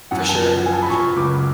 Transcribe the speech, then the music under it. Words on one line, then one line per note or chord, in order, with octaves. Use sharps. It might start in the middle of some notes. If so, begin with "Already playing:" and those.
For sure, for sure.
F#2 F#5
A5
F3
F3 G#5
A5
B5
F#2 C#6
C#2 D6